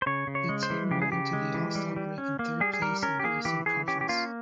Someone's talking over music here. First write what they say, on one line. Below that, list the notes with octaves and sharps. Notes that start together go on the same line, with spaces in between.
The team went into the All-Star break in third place in the Eastern Conference.
C5
C#3 C#5
C#3
C#5
G#3
C5
E3
C#3 G4
G#4
C#3 G4
G#3
E3
G3
G3
C#4
A#3
G3 G#4
G#4
G3 A#4
C#4 A#4
G4
A#3 G#4
E3 G4
E3 G#4
C#4 G4
G4
A#3 F4